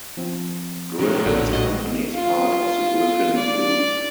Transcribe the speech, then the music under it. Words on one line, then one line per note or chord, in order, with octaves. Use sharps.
Griffin's company is part of The Griffin Group.
F3 C4
D#3 F#3
A#1 A2 D3 D4
F#4 D#5
F4
D5